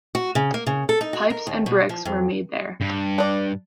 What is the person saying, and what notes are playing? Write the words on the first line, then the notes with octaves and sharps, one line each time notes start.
Pipes and brickes were made there.
F#4
C#3
A#3
C#3
A4
D#4
F#4
A#4
D#2
B2
F3
F2
G2
D4 D5